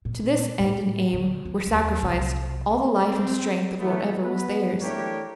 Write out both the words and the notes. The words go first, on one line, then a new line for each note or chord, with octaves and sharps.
To this end and aim were sacrificed all the life and strength of whatever was theirs.
A#2
A2
D3
F3
D#2
C2
C4
E3 A3 B3
B3 B4
E3 A3 D4 G4 A#4 C#5